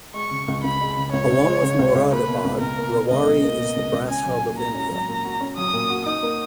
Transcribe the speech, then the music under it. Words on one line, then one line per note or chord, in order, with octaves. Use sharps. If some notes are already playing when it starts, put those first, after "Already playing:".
Along with Moradabad, Rewari is the brass hub of India.
G#3 C#6
C#3
C#2
C#2 B5
G#3
C#3
C#2 C#5
C#2
G#3
C#3
C#2
C#2
A#3 B4
B2
C#2
C#2 A#4
A#3
B2
C#2 D#5
C#2
A#3
B2
C#2
C#2
C#4 G#5
F#3
A#2
F#4 A#5
C#4
F#3
A#2
F#4
C#4
F#3 D#6
A#2
F#4
D#4 D#6
A#3